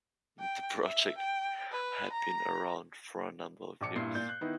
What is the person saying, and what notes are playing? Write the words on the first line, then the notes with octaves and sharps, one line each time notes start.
The project had been around for a number of years.
G5
E5
G5
B4
A#5
A#1 D4 D6 C#7
G2 A#2 E4 C7
A#2 D5 G6
F#6
D#3 B3 D#4 E4